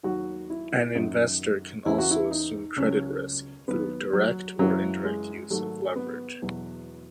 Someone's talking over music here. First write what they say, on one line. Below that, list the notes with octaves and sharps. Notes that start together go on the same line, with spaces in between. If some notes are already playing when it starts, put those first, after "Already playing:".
An investor can also assume credit risk through direct or indirect use of leverage.
D#2 D#3 F#3 F#4
E4
F#2 D#3 F#3 D#4
E2 C#3 E3 E4
F#4
E4
D#4
C#2 C#3 F#3 C#4
D#2 D#3 F#3 B3
F#3
F#2 C#3 E3 F#3
G#3
G#2 D#3 F#3 A3
B3
E2 B2 F#3